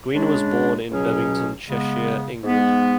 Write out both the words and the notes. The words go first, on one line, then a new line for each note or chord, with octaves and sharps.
Green was born in Bebington, Cheshire, England.
C#3 G#3 D4
C#2 B2 F#3 C#4 G#4
C#3 G#3 B3
G#2 G#3 B3